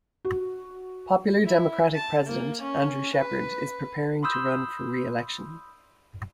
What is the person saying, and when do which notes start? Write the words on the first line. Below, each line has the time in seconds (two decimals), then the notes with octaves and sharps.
Popular Democratic President Andrew Shepherd is preparing to run for re-election.
0.25 F#4
1.46 E4
1.95 A5
2.28 A#3
2.62 C#4
3.14 B4
4.23 B5 C6 D#6 E6 G6